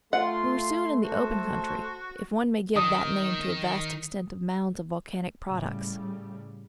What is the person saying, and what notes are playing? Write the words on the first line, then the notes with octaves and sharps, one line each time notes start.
We were soon in the open country, if one may give that name to a vast extent of mounds of volcanic products.
A3 F4 F#5 C6
F#4 A4 C5
D#3 D#6
A2 C#3 G3